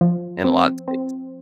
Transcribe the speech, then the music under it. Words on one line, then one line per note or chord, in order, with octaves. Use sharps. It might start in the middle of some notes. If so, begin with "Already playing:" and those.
in lot states.
F3
C4
C4